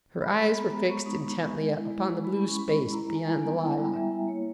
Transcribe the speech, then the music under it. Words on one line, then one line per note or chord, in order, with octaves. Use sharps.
Her eyes were fixed intently upon the blue space beyond the lilac.
G#3 B5
G#3 B5
B3 A#5
B5
G#3
G#3 C#6
D#4
B3
G#3
G#3
E4
G#3
G#3
G#3 B5
C#4
C#6
G#3
B5
E4
E4 A#5
E4
G#5
G3
G#5
B3
E4 G5
G3
G3 E5
E4
A#3 C#5